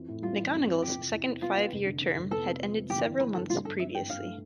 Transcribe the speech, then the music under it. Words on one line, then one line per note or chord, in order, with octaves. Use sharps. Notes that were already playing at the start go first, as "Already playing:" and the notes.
McGonagle's second five year term had ended several months previously.
Already playing: F2 E3
A2
G3 F4
E3
F2
F2
F2 G4
C3
E2
C3
B3 F4
B3
F1
D3
D3
F1
B3 A4
C3
F3
F3
G1 G4
E3
E3 B4
G1 A4
G3 F4
G2 A4
C4 E5
G2 G5
G2 F5
A3